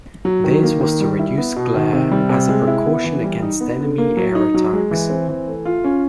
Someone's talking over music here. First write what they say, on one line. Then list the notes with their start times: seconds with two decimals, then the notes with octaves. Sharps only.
This was to reduce glare, as a precaution against enemy air attacks.
0.25 F#3
0.44 D#3
0.63 A#3
0.81 D#3
1.00 G3
1.19 E4
1.38 B3
1.56 B2
1.74 D#3
1.93 C3
2.12 G3
2.30 C3
2.48 G#3
2.67 E4
2.86 B3
3.04 E3
3.24 G3
3.42 D#4
3.60 B3
3.79 D3
3.98 A#3
4.17 F#3
4.35 D#4
4.54 F#3
4.73 G#3
4.91 E3
5.10 C4
5.28 E3
5.48 A3
5.65 F4
5.84 C#4